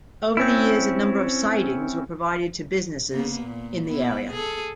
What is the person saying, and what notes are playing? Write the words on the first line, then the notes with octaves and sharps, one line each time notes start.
Over the years a number of sidings were provided to businesses in the area.
C4 C#4 E4
C#3 A#3 B3
A#2
B3 E4
G#4 A4